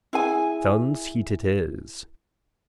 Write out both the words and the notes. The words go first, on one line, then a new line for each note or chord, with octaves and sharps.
Sun's heat it is.
E4 G#4 G#5